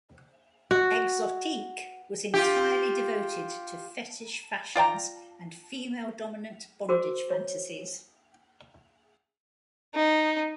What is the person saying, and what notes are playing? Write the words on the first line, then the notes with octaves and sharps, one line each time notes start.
"Exotique" was entirely devoted to fetish fashions and female-dominant bondage fantasies.
F#4
F4 G4
F4 D5 G5 A#5
F#4 A#4 C5 D6
C#5
D#4